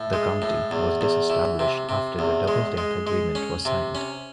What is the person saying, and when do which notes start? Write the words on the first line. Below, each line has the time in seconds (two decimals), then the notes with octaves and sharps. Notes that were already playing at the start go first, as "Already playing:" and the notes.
The county was disestablished after the Double Tenth Agreement was signed.
Already playing: A2
0.13 G#3
0.42 A2
0.71 E2
1.01 E2
1.30 E3
1.59 C3
1.89 C3
2.19 E2
2.48 G#3
2.77 G#3
3.07 G#3
3.35 C#4
3.65 C3
3.95 C#4